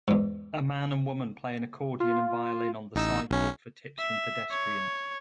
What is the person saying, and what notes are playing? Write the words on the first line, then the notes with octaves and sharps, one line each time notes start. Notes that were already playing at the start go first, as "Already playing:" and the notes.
A man and a woman play an accordion and violin on the sidewalk for tips from pedestrians.
E2 G#2
F4
A1 D#4 E6
B1 C#4
E5
C#5